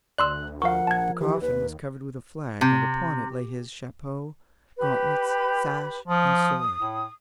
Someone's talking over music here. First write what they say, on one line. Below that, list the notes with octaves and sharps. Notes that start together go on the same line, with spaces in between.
The coffin was covered with a flag, and upon it lay his chapeau, gauntlets, sash, and sword.
D2 D5 C6 E6 F#6
F3 A#4 F5 F#5 C#6
A#1 A5 G#6
E3 G4
D#2 B4
C3
G4 B4 B5
F3 D#6
A2